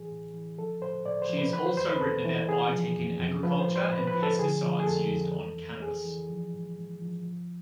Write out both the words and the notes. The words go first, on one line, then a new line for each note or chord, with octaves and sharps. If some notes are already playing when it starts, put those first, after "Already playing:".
She has also written about biotech in agriculture and pesticides used on cannabis.
Already playing: A2 E3 G#4
A2
E3
F3 A4
A2 C5
A2 D5
C5
F3
B4
E3 B4
C5
F2 C5
B4
F2 A4
E3
C3 G#4
F3
F2
F2
F3 B4
C5
A2
C5
A2 B4
B4
F3
A4
D3 G#4
F3
G#4
F2 A4
F2
E3
F2
F2 G#4
E3
F3
G#2
G#2
F3
F3